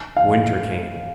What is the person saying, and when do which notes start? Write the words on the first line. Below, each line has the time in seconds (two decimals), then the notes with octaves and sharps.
Winter came!
0.17 F5